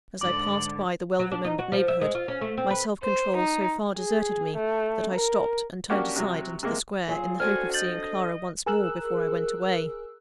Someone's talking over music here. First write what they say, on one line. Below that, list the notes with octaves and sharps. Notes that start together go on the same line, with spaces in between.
As I passed by the well-remembered neighbourhood, my self-control so far deserted me, that I stopped and turned aside into the Square, in the hope of seeing Clara once more before I went away.
G#2 D3 D6 F#7
F#3
D4
D#4
F#4
F3
E5
G#3
F4
C#4
A3
C4
B4
C5
D#4
G#4
A3
A#4
A#3 C#4 D4 F#4 G4
C3 F#3
C3 G#3 A#3
F#3 F4 G#4
C4 D4 F#4 A4 G#5 F6
D#5 G6 A6 F#7
G#4 A#4 E6 F#6